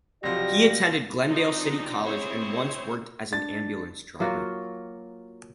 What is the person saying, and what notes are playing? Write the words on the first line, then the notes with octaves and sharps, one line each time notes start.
He attended Glendale City College and once worked as an ambulance driver.
B1 C3 F3 F#4 G4 D5 A#6
F3 C4 D4 D#4
C4 E4 G#4 C5 C#5
D4 A6
F#3 A#3 F4 F#4